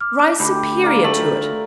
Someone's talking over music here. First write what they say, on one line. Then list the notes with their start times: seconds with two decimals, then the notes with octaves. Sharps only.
Rise superior to it.
0.01 D6 F6
0.40 D2 G4 B5 D6
0.84 G3 F4 A#4 D6
1.04 A3 F#7